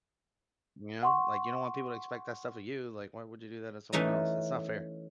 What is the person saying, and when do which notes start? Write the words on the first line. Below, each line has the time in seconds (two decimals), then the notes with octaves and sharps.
You know? Like, you don't want people to expect that stuff of you, like, why would you do that to someone else? It's not fair.
1.03 F#5 C6 C#6
3.92 E3 A3 C#4 D#4 D#5